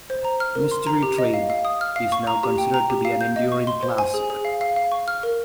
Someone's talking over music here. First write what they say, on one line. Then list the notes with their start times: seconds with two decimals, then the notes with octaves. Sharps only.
"Mystery Train" is now considered to be an "enduring classic".
0.10 C5
0.25 A#5
0.40 F6
0.55 A#4
0.71 C6
0.87 A#5
1.03 G4
1.18 D#5
1.34 F5
1.50 F5
1.65 D#6
1.81 F6
1.96 F5
2.12 C#6
2.27 A#5
2.43 G4
2.58 G5
2.74 A#5
2.90 G4
3.05 F5
3.21 G6
3.36 D#5
3.52 C#6
3.67 C6
3.83 C5
3.98 G#5
4.14 G#4
4.30 G#4
4.45 F5
4.61 F5
4.76 F5
4.92 C#6
5.08 F6
5.23 A#4